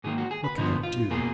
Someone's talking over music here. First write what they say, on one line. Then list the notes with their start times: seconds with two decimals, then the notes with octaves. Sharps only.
'What can I do?
0.04 G#2 D#3 A#3 G#4
0.18 F#4
0.31 G#4
0.44 B4
0.57 D2 D3 F3 B3 D#4
0.83 F4
1.10 B2 A#3 G#4